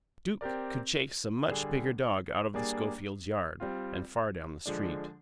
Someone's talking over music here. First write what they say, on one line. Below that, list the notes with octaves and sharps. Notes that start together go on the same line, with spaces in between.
Duke could chase a much bigger dog out of the Schofields' yard and far down the street.
C4 G4 A#4 D5
D3 G3 D4 G#4
G3 A#3 D4 G#4 D5
G3 C4 F4
D3 F3 G#3 D4